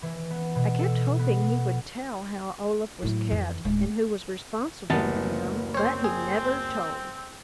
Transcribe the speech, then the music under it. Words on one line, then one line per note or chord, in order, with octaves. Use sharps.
I kept hoping he would tell how Olaf was kept and who was responsible for him, but he never told.
E3
B3
B2
A4
B3
A2 F#3
F2 E3
D1 G#3
F#1 D2 E3 G3 B3 A5
C4 C5 C#5
G#4